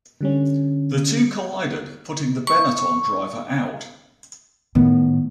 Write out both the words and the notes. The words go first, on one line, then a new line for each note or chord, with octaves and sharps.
The two collided, putting the Benetton driver out.
D3 G3 C#4
C#6
A2 D#3 B3